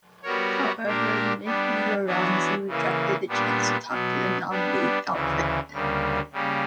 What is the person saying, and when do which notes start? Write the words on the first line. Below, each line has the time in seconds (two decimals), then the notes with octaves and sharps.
However, Miglioranzi rejected the chance to talk to the Non-League outfit.
0.23 G3 B3 F#4 A#4 C#5
0.84 A#2 A#3 D4 G4 A#4
1.45 G3 B3 D4
2.06 E3 B3 D4 F#4 C#5
2.67 C#3 E3 A#3
3.28 A#2 G3 B3 D4
3.88 B2 F#3 B3
4.50 G3 B3 D4
5.10 D2 C#3 E3
5.71 D2 C#3 G3 A#3
6.32 C#3 G3 A#3 C#4